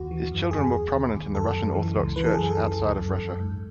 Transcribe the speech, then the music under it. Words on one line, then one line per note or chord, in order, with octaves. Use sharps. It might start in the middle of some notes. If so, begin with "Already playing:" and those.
His children were prominent in the Russian Orthodox Church Outside of Russia.
Already playing: D#2 F#4
E3
F#2
E2 G#4
E2
D#2
D#2
F#2 A4
F#2
E3
C#2
E3 B4
A4
F#2 G#4
A4
E3
C#2
F#2
F#2
G#2